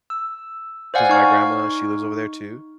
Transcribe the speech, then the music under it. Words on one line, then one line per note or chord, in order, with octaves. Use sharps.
'cause my grandma, she lives over there too,
E6
C5 D5 F5 F#5 G#5
D#4 C#6 F6